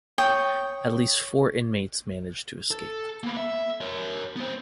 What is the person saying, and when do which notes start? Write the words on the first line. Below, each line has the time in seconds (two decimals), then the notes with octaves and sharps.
At least four inmates managed to escape.
0.18 C#5 G5 D#6
2.71 A4
3.24 A#3 B3
3.37 E5
3.81 A#4 C#5
4.36 B3 C5